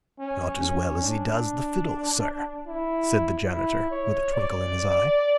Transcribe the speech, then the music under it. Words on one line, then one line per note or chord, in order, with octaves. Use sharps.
"Not as well as he does the fiddle, sir," said the Janitor, with a twinkle in his eye.
C#4
C#4
D4
E4
E4
C#5
D5